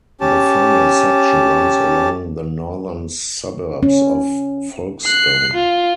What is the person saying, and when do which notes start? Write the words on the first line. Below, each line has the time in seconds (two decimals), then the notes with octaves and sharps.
The final section runs along the northern suburbs of Folkestone.
0.21 C#4 G4 A5
3.83 C#4
5.05 F#6 C7
5.53 F4